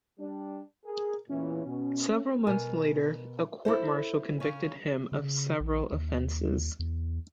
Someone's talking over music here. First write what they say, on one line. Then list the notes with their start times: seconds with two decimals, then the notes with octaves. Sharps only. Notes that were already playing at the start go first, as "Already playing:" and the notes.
Several months later, a court martial convicted him of several offenses.
0.19 G3 D4
0.85 G#4 A#4
1.29 E2 A#2 E3 C#4
1.65 B2
2.47 B2 A#4 G#5
3.65 E4 A4 C5
4.40 C#3 C#4
5.12 C#3
5.60 A#1
5.92 D#2
6.79 E2